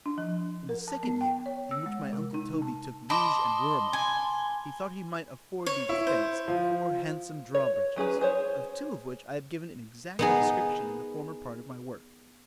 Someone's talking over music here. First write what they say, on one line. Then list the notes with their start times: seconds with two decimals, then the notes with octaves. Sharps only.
In the second year, in which my uncle Toby took Liege and Ruremond, he thought he might afford the expence of four handsome draw-bridges; of two of which I have given an exact description in the former part of my work.
0.06 D4
0.18 F3
0.69 A#4
0.88 A5
1.03 B3
1.21 G5
1.46 C#5
1.71 E6
1.86 G#3
2.13 C3
2.34 D#4
2.62 A5
3.10 D#5 A5 B5 C6 D6
3.93 G#5
5.66 C#5
5.89 E4
6.07 C5
6.48 F3
7.55 C#5
7.96 F#3 C#4 G#4 B4
8.21 G#4 C5 C#5
10.19 B3 D#4 G#4